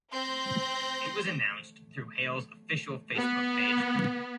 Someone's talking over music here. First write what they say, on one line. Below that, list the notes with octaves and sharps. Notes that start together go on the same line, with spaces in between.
It was announced through Hale's official Facebook page.
C4 C6 G6 A#6
B3